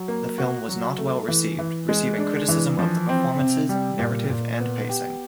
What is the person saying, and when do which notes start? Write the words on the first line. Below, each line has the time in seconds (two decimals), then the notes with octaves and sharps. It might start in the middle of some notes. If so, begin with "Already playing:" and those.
The film was not well received, receiving criticism of the performances, narrative and pacing.
Already playing: F#3
0.08 A#3
0.38 F#4
0.69 F#3
0.98 A3
1.28 E3
1.59 E3
1.89 G#3
2.18 D4
2.48 E3
2.79 F3
3.09 C4
3.39 C3
3.69 G3
3.99 A#2
4.30 A#2
4.60 B3
4.89 G4